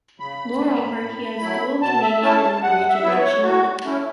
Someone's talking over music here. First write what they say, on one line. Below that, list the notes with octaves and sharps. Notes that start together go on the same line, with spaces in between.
Moreover, he has dual Canadian and Norwegian nationality.
C#3 B5
E3 A3
A2
F#3 A3 E4
B2 A5
E5
A3 C#4 E4 A5
A5
F#2 F#5
E5
F#3 B3 E4 B4
C#5
A2 F#4
A3 C#4 E4